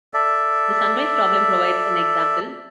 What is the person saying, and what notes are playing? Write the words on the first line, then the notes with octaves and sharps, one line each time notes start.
The "sunrise problem" provides an example.
A4 D5 E5